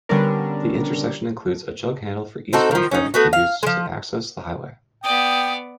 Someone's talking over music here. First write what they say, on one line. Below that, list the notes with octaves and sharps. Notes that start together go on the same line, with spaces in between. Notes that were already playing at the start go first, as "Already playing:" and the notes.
The intersection includes a jughandle for eastbound traffic to use to access the highway.
D3 G3 B3 C#4 D4 A#4
C4 D#4 F#4 A4
D#3 F3
C#4 D#4
A3 B3 F#4
F5
F3 G#3
B3 D5 G5 D#6